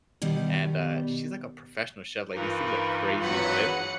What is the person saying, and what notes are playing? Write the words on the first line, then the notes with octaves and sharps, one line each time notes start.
and, uh, she's, like, a professional chef, like, these things are crazy good,
B2 D#3 G3
G2 E3 D#4 F4 A#4 B4
G#1 F#3 B4 F#5 C#7